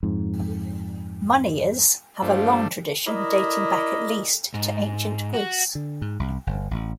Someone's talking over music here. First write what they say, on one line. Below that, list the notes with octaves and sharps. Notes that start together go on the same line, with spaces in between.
Moneyers have a long tradition, dating back at least to ancient Greece.
F2 G#2
G2 F3 A3 D4
E4 A#4 D5 D#5
G#2
F#4
D3
G#2
C2
G1
A1